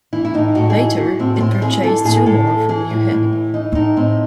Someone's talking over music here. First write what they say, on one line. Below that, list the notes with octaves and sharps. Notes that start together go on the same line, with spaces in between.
Later it purchased two more from New Haven.
E3 E4
E4
A2 D#4
A2 F#4
G#4
E3
E3 F#4
A2 C4
A3
A2 C4
E3 G#4
E3 A4
A2 G#4
A2 A4
E3
E3 G#4
A2
A2
E3
E3 D#4
A2 D#4
A2 C4